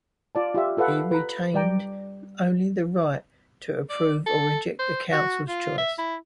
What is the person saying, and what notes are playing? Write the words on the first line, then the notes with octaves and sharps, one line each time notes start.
He retained only the right to approve or reject the council's choice.
F4 D5 A5
F4 G4 E5
F4 A4 B4 F5 F#5
B4 A#5
G3 D5 G5 A#5
D5
A4
C5
F#4
F4
E5
E4